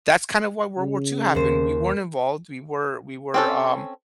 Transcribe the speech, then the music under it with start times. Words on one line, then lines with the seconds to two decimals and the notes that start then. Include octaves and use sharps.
that's kind of why World War II happened. We weren't involved. We were we were, um,
0.78 C#3
1.35 D#2 C5
3.34 C4 C#4 A4